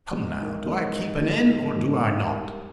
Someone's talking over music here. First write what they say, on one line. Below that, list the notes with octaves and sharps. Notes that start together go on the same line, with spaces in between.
Come now, do I keep an inn, or do I not?
G#3
D#4 A#4
G#3
D#4 A#4
G#3
D#4 A#4
G#3
D#4 A#4
G3